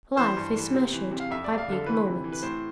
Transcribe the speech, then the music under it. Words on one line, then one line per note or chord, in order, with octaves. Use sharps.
Life is measured by big moments.
E3 C5
G2
E3
C3
E3
C3
F5
F2 E5
D5
F2
F5
D3 A4
E3 B4
C3
E3
B4
A2 C5